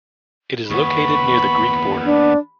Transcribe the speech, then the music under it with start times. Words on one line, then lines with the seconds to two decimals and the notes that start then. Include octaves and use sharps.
It is located near the Greek border.
0.71 D#2 B3 B5 C#6
2.04 D4